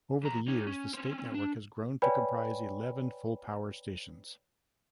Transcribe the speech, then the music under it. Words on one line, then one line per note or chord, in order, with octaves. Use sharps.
Over the years, the state network has grown to comprise eleven full-power stations.
E2 A#5
D#4 C#5
C#4
C4 C#4
D4
B4 C#5 D5 G5 G#5 B5